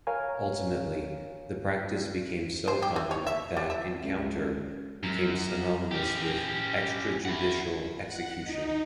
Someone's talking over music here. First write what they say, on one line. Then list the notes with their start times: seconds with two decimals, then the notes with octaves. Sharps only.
Ultimately, the practice became so common that "encounter" became synonymous with extrajudicial execution.
0.07 A#4 C#5 F5 G#5
2.68 C5
2.82 G4
2.96 E3
3.11 C#5
3.27 E5
3.57 G3
3.70 E5
4.03 C#2
5.03 F#2
5.91 C#4 G4
7.25 E4 F#5
8.02 F#5
8.41 D#4